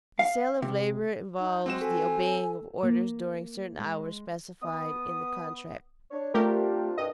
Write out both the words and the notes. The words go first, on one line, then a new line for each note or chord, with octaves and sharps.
The sale of labor involves the obeying of orders during certain hours specified in the contract.
F5
C3
D#4
G#3 C4 F#4 E7
A4 G#5
A#3
G#3
B3 D#6
D4 C#5
A3 C4 D4 F4 G4 A#4
C2 G2 D#5